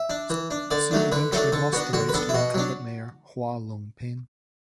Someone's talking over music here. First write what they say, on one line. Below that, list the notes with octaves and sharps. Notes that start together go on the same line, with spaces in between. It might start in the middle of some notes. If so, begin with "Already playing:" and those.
Su eventually lost the race to the incumbent mayor Hau Lung-pin.
Already playing: E5
D4
E3
D4
D3 D5
F#3 A3 D4
D3 B4
F#3 A3 D4 A4
D3 A4
B3 D4 F#4
D3 F#4
B4
B3 D4 A4
E4
B2 F#4
F#3 D4